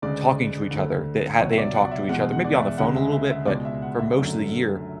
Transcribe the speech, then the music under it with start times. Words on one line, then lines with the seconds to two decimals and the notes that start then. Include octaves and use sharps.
talking to each other that ha they didn't talk to each other maybe on the phone a little bit, but for most of the year
0.02 D2 C#3 G#3 D5
0.71 D2 D3 A3
1.40 C#2 B2 F#3 C#5
1.51 E5
1.58 D5
1.74 F#5
1.84 D5
1.91 E5
2.09 E2 B2 G#3 F#5
2.32 F#5
2.44 D5
2.55 E5
2.78 D2 C#3 G#3 F#5
2.95 E5
3.12 E5
3.30 E5
3.47 C#2 B2 G#3 D5
3.65 E5
3.82 F#5
3.99 E5
4.17 F#2 D3 F#3 A3